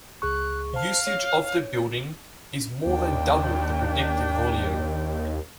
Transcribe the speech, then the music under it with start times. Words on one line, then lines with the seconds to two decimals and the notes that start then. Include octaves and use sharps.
Usage of the building is more than double the predicted volume.
0.22 C#2 G#4 C#6 F#6
0.74 C5 F5 A5
1.07 C#5
2.86 D#2 D4 G5